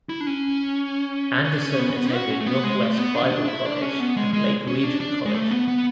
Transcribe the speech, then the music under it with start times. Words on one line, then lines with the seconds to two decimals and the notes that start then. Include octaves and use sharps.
Anderson attended Northwest Bible College and Lake Region College.
0.09 E4
0.21 D4
0.27 C#4
1.45 C#4
1.54 D4
1.62 C#4
1.79 B3
1.90 C#4
1.96 B3
2.14 F#4
2.30 C#4
2.40 A3
2.46 B3
2.64 G#3
2.81 A3
2.98 B3
3.15 D4
3.23 C#4
3.32 D4
3.48 E4
3.65 D4
3.82 C#4
4.00 B3
4.17 G#3
4.33 G#3
4.67 C#4
4.84 D4
5.00 D4
5.26 G#3
5.34 A3
5.51 B3
5.68 B3